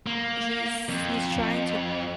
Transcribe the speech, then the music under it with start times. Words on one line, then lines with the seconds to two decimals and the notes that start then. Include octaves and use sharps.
he's he's trying to
0.06 A#3
0.89 F2